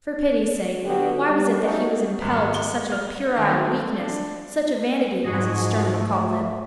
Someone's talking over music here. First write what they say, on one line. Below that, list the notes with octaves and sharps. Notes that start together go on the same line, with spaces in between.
For pity's sake, why was it that he was impelled to such a puerile weakness--such a vanity, as he sternly called it.
D3 B3 F#4 G4
G3
A3 C#4 D#4 F#4
G#1
G7
F6
D#3
A3
D4
G#2 F3 F#4 G#4 D#5
A3